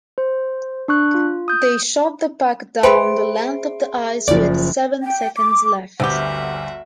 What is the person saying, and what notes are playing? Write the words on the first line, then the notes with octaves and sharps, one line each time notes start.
They shot the puck down the length of the ice with seven seconds left.
C5
D4 C#6 F#6
F4
D#6 G6
G#4 B4 C5 E5 G5 B5 C6 D7
F#1 F3 D5
G5
D6
G1 D2 C3 B3 F#4 G4 E5